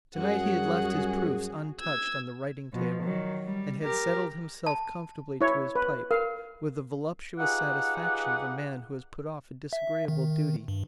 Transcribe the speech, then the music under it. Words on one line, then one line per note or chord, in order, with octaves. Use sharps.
To-night he had left his proofs untouched on the writing-table, and had settled himself comfortably to his pipe, with the voluptuous satisfaction of a man who has put off a disagreeable duty.
F#2 G3 F#4 G#4 F#5
E6 G#6
B2 F3
D#3 F#3
G3
G4 A#4
A5
E4 C#5
B4
A#4 F5
D#4 F4 G4 G#4 B4 F#5
E5
D#3
G2